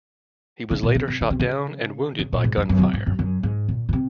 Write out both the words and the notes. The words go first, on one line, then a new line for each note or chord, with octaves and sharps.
He was later shot down and wounded by gunfire.
C#3
A#2
C3
C3
C#3
C3
C#3
C#3
A#2
G#2
F#2
F#2
C#3
C3
G#2
F#2
F#2
G#2
A#2
A#2
C3